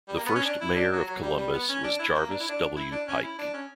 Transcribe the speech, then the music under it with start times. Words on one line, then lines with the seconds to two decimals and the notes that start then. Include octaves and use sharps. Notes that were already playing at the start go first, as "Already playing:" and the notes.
The first mayor of Columbus was Jarvis W. Pike.
0.08 G3
0.17 A#3
0.26 B3
0.35 C#4
0.45 D4
0.60 E4
0.76 D4
0.92 F#3
1.07 F#3
1.22 G3
1.37 G3
1.53 B3
1.68 C#4
1.83 D4
1.99 E4
2.15 A#3
2.30 D4
2.40 E4
2.49 D4
2.76 E4
2.92 D4
3.07 C#4
3.23 E4
3.38 D4
3.54 C#4